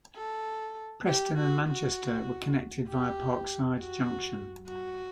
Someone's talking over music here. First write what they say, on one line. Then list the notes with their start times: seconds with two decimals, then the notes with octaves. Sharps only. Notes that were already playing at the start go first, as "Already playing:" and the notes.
Preston and Manchester were connected via Parkside Junction.
0.16 A4
1.07 G4
1.37 F#4
1.68 F#4
2.89 G4
3.78 F#4
4.68 F#4